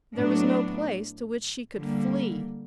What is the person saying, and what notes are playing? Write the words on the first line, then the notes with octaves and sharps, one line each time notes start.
There was no place to which she could flee.
A2 F#3 B3 D4
D3 G3 A#3